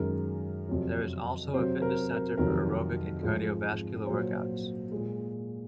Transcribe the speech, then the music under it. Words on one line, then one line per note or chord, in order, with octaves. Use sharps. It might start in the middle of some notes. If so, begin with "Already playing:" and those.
There is also a fitness center for aerobic and cardiovascular workouts.
Already playing: F#2 D#3 G#3 A#4
F2 C3 F#3
C3 F#3 C5
A#4
A#4
F2 C3 D#3 F#3 A#4
G#2 F3 G#3
A#2 F#3 C5
A#2 G#3